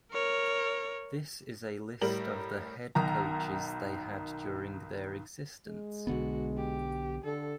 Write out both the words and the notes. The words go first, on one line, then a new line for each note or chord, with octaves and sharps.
This is a list of the head coaches they had during their existence.
A#4 C#5
A2 G3 A#4 F#7
B1 D#3 D#4 A#5
G#3
B1 D3 B3 F#4
G4
D3 A4